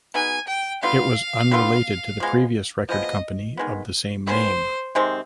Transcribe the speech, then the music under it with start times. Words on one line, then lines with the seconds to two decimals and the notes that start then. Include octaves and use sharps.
It was unrelated to the previous record company of the same name.
0.14 B2 B3 D#4 G#4 G#5
0.48 G5
0.83 D3 G3 B3 F4 F5
1.51 D3 G3 B3 F4
2.20 F3 G#3 B3
2.89 F3 G#3 B3 D#5
3.57 D#3 G#3 B3
4.26 D#3 G#3 B3 C5
4.95 C3 D#3 G#3 C4